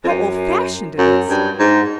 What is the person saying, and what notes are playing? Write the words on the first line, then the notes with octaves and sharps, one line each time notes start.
How old-fashioned it is!
F2
F#2
F#2
G2
G#2